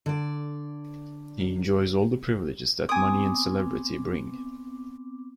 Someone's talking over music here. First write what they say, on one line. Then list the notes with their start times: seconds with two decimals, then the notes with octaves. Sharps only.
He enjoys all the privileges that money and celebrity bring.
0.06 D3 D5
2.89 B3 C4 G#5 D6 D#6